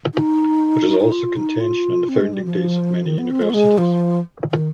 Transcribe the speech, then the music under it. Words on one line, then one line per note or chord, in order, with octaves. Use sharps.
There is also contention on the founding dates of many universities.
D#4
D#4
F4
D#4
F4
C4
G#3
G3
F3
D#3
B3
C4
G#3
B3
G#3
F3
D#3